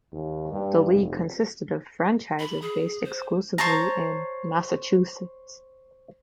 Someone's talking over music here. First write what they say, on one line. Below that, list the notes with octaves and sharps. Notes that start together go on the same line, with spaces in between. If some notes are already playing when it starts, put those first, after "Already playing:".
The league consisted of franchises based exclusively in Massachusetts.
D#2
G2
F1
B5
G#4
C5
C5 C#5 A5 A#5